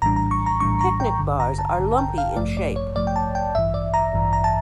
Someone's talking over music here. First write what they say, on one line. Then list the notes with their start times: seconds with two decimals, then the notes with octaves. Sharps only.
Picnic bars are lumpy in shape.
0.02 A#1 A2 E3 G3 D4 A#5
0.16 A#5
0.31 C#6
0.46 A#5
0.60 A#1 A2 E3 G3 D4 C#6
0.81 A#5
1.00 G5
1.19 A1 G2 D3
1.40 A#5
1.59 A5
1.79 A1 G2 D3
1.98 G5
2.18 F5
2.36 A1 G2 F3 A3 D5
2.57 D5
2.76 C#5
2.96 A1 G2 F3 A3 D5
3.07 G5
3.16 A5
3.35 G5
3.55 A1 G2 E3 E5
3.74 D5
3.94 A#5
4.13 A1 G2 E3
4.33 A#5
4.44 A5